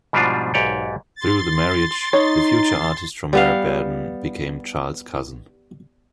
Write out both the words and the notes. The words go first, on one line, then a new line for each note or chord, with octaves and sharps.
Through the marriage, the future artist Romare Bearden became Charles' cousin.
G#2 B2 F3 G3 D4 F4
B1 G#2 G4 C#5 D5 G5
C6 A6
D#4 C#5
G3 B3 F5